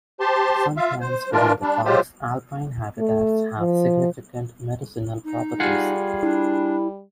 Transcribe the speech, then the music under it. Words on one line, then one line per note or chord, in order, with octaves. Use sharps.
Some plants within the park's alpine habitats have significant medicinal properties.
G4 C5 A5 C6
F4 E5 F5
C5
D#3 E3 D4 F4 A#4
G3 D4
F#3 G#3 F4 G4 C5
A3
F3
D#4
G3 F4 G#4 F#5
D4 E4